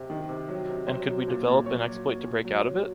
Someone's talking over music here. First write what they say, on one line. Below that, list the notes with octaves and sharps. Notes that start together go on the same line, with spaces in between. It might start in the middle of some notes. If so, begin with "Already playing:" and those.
And could we develop an exploit to break out of it?
Already playing: C3
D#3
C3
F#3
C3
F#3 C5
F#3
A#2
A#2
F#3 C#5
F#3
A#2
A#2
F#3
F#3